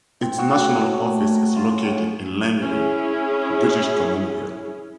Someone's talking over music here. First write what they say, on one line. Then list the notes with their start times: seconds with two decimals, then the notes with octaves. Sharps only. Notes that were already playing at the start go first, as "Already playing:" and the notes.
Its national office is located in Langley, British Columbia.
0.22 C4
0.38 F#4
0.51 A#3
0.67 C#5
0.92 A3
1.20 C#5
1.35 A#4
1.56 F4
1.71 C#3
1.84 A2
2.62 C#4 E4 G#4